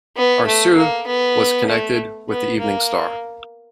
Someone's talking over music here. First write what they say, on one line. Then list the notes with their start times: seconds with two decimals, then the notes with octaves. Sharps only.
Arsu was connected with the evening star.
0.16 B3
0.47 A3
0.77 A#3
1.07 B3
1.69 A3
2.30 B3
2.59 A#3